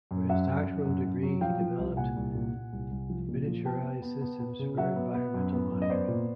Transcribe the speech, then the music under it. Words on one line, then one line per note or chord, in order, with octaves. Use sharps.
For his doctoral degree he developed miniaturised systems for environmental monitoring.
F#2
F#2 E5 F#5
F#2
F#2
F#2
F#2
F#3
F3 F5 G5
F3
C2
A#2 F#5 G#5
C2
A#2
A#2
C2
C2
F3
A#2
F3
B3 G5 A5
B3
B3
B3
B3
C#3
F#3 E5 F#5
B3
B3
F#2
B3
F#2
D#5
B3 C5 D5
A#2